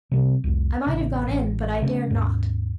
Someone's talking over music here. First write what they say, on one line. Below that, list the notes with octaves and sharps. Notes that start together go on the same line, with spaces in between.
I might have gone in, but I dared not.
C3 G3 C4
C2 F2
A1 C#3
A1
C#3 A3 C4 C#4
D#2 G#2